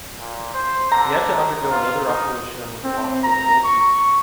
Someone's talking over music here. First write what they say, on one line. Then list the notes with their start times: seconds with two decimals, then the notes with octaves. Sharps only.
He had to undergo another operation and was blocked for the whole season.
0.18 A#2
0.54 C5
0.92 D3 A#5
1.71 F4
2.07 D#4
2.83 C4
3.24 A#5
3.64 C#6